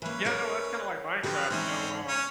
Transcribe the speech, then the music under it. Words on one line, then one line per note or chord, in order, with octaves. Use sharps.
Yeah, no, that's kinda like Minecraft, you know, um
E3 A#3 C#4 B4
A#4 C#5 D5
D3 F3 F#3 G4 B4
G#2 E3 C4 C#4 D#4
C#4